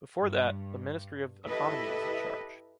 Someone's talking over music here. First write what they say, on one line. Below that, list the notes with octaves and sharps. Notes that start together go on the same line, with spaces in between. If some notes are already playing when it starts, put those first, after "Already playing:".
Before that, the Ministry of Economy was in charge.
G2
E4 G4 A4 B4 D#5 E5